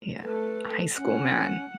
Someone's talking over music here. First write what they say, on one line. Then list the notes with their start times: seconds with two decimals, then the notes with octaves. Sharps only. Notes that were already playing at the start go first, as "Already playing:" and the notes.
Yeah, high school, man,
0.23 A3 A4 B4
0.97 C#4 F#5